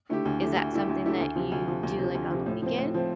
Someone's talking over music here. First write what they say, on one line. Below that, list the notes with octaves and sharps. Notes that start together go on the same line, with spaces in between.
is that something that you do, like, on the weekend?
D3 A3 E4 G4
D2
D3 A3 E4 G4
D2
D3 A3 E4 G4
D2
D3 A3 E4 G4
D2
C3 F3
D2
C3 F3
D2
C3 F3
D2
C3 F3
A2
F3 C4
A2
F3 C4